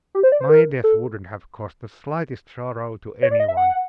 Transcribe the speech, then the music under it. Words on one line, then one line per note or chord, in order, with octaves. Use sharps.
My death wouldn't have caused the slightest sorrow to any one.
G4
C5
D5
C5
A#4
A4
C#5
D5
D#5
E5
F#5